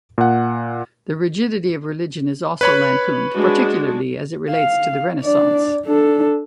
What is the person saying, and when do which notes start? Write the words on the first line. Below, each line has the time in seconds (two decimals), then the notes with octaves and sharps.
The rigidity of religion is also lampooned, particularly as it relates to the Renaissance.
0.18 A#2 F#5
2.61 B4 C#5 B5
3.34 G#3 D4 F#4
4.50 F5
5.24 D4 D5
5.85 D4 A4